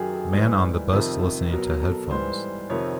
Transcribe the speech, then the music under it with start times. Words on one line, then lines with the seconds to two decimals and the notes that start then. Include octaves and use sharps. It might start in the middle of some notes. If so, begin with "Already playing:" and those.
Man on the bus listening to headphones.
Already playing: F#2 D#3 F#3 G4 G#4
0.13 A4
0.33 G#2 E3 G3
0.92 F2 C3 D#3
1.51 B2 F#3 A#4
1.82 A4
2.11 G#2 E3 G3 C5
2.70 F2 C3 D#3 C#5